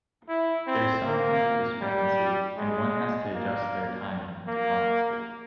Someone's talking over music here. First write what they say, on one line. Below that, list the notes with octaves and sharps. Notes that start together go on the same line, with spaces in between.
There's some kind of discrepancy, and one has to adjust their timing to compensate.
E4
C4
A#3
G3
G#3
A#3
A#3